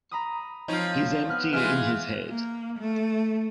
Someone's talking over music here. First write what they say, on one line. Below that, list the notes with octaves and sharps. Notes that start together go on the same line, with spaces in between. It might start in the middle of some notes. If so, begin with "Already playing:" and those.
He's empty in his head.
A#5 B5 D#6
F3 C4 D#4 F4 C#5
B3 F6 F#6
E3 G#3 F4 E5 F6
A#3
A3